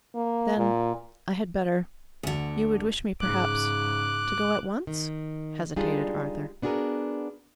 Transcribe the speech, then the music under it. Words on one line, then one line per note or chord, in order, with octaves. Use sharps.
"Then--I had better--you would wish me, perhaps--to go at once?" hesitated Arthur.
A#3
A#2
D2 D3
G#2 C#3 D6 F#6
D#3
G3 G#3 D4 D#4 F4 G#4
B3 D4 F#4 G#4 A#4